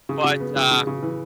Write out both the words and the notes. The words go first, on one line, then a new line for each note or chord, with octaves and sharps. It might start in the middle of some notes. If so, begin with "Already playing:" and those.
But, uh
C#3
C#3
B3
C#3
C#3
C#3
E3